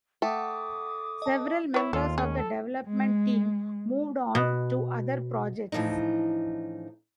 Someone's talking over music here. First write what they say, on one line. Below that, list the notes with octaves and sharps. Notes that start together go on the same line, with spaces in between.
Several members of the development team moved on to other projects.
A3 F#5 G5 D6 D#6
D#5 A5
E4 B4 C#5
D#2 F4 A4
C#4 G#4
A4
G#3
B2
A2 E3 F3 D4 D#4